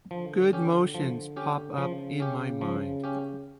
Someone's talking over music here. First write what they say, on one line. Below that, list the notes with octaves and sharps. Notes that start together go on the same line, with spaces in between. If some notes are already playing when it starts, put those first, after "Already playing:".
Good motions pop up in my mind.
D3 F3
C#4 G4
F3
C#4 G4
C#3 F3
C#4 G4
F3
C#4 G4